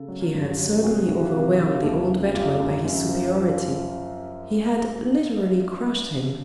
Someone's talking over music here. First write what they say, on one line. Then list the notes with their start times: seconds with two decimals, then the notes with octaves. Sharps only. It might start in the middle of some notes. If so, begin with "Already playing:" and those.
He had certainly overwhelmed the old veteran by his superiority; he had literally crushed him.
Already playing: C#3 A4
0.08 F#3
0.34 G2
0.58 F#3
0.83 C3 F#4 G#4
1.08 E3 F#4
1.21 F4 G4
1.33 C3
1.59 E3 F4 G4
1.84 D#2
2.09 C#3
2.34 F#2 F4 G4
2.60 F#2
2.84 F#2
3.09 F3
3.34 F3